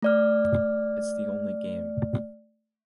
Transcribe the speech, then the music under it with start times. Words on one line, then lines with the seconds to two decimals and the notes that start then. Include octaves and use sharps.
It's the only game.
0.02 A3 D5 F6